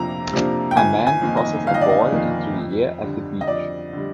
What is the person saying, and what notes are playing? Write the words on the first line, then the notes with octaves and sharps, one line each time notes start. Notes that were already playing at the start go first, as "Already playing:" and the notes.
A man tosses a boy into the air at the beach.
Already playing: F2 C3 A#3 D4 A#5
C3 F3 A#3 D4
G5
G1 G#5
G#5
F2 D#3 A#3 D#4
D#5
G1 F5
D#5
D5
D#5
F2 D#3 A#3 D#4
F2
D3 G3
D#5
F2 D5
D3 G3